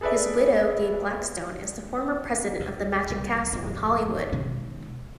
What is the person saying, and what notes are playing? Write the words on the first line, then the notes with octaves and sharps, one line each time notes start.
His widow, Gay Blackstone, is the former president of The Magic Castle in Hollywood.
G#4 A4 B4 D5 E5
D2 A#2
C2
D1 F2 F3
B2 D#3 G#3 C#4